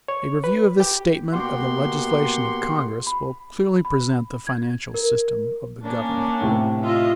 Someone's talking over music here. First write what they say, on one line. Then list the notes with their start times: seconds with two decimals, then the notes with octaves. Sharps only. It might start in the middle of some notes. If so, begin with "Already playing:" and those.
A review of this statement of the legislation of Congress will clearly present the financial system of the Government.
0.08 C#5
0.44 B4
0.80 G4
1.33 B2 A#3 G4 F#5 C6
3.07 B5
3.85 B5
4.47 G#6
4.94 A#4
5.82 A#3 C#4 D4
6.41 A2 C3
6.83 F4 D#5 E5